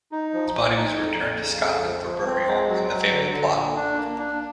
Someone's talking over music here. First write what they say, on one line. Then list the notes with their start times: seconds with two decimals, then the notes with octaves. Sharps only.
His body was returned to Scotland for burial in the family plot.
0.12 D#4
0.33 F3
0.55 F3
0.77 D#4
0.98 F2
1.19 F2
1.40 C#3
1.62 F2
1.84 F3
2.04 F3
2.26 C4
2.47 G#3
2.68 F#3
2.90 F#3
3.11 D3
3.32 D3
3.54 A#2
3.76 D4
3.96 A#3
4.19 D4